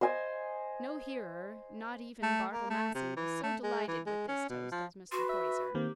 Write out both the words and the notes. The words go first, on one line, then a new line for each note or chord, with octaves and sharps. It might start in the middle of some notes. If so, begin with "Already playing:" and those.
No hearer, not even Bartle Massey, was so delighted with this toast as Mr. Poyser.
C5 D#5 G#5
A3
A#3
A3
C3
E3
A3
G#3
E3
G#3
C#4
B2
F3
F#4 B4 C6
E5
D#3 A#3 C4 G4